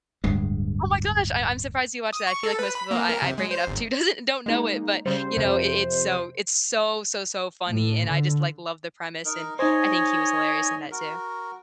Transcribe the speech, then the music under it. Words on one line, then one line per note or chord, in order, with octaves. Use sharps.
oh my gosh, I I'm surprised you watched that, I feel like most people I I bring it up to doesn't don't know it, but, you know, it it's so it's so, so, so funny, and I just, like, love the premise and I think he was hilarious in that too.
D1 G2 G#3
D#6
C#6
A4
B4
B5
A#3
A#4
C3
G#3
C5
G1
G#3 A#3 D#4
C#3 G3 C5
F2 C3
A2
D3
D#4 A#4
D#4 C5 C#5 D#5 G#5
F#4 A#4